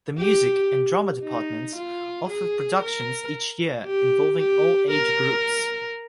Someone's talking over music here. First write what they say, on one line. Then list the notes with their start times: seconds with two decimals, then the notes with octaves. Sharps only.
The Music and Drama departments offer productions each year involving all age groups.
0.18 G4
1.23 D#4
1.76 F4
2.29 G#4
2.81 A#4
3.86 G4
4.39 G4
4.91 A#4